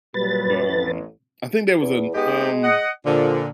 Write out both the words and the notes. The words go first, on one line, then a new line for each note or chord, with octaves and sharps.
But, um, I think there was an, um
A#2 F#3 G3 B4 A6
A1
E2
G#3 B3 D#4 G4
D#5 F#5
A#2 D3 F3